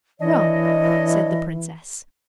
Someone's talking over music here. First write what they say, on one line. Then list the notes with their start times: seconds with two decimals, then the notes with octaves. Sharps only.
'Wrong,' said the Princess.
0.20 E3 D4 C#5 D#5